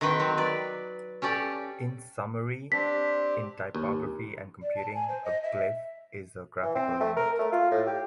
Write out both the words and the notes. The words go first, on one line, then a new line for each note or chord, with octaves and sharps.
In summary, in typography and computing, a glyph is a graphical unit.
D#3 C4 F#4 B4 G5
F#3 C4
B4 D5
C#4 G4 A4 D5
C4 D4 G4 B6
D#2
D5
A5
G#5
C5
D#5
E5
E3
C4
A3
A#4
A3
F4
A2
G4